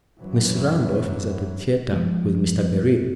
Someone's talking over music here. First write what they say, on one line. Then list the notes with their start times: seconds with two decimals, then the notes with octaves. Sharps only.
Miss Randolph is at the theatre with Mr. Beryl.
0.20 F#2 E3 F#3
1.93 F3 G#3